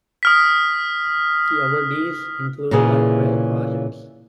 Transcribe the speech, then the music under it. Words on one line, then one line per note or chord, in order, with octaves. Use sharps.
The awardees include light rail projects.
D#6 F6 B6
A#2 C#3 E3 A#3 G#4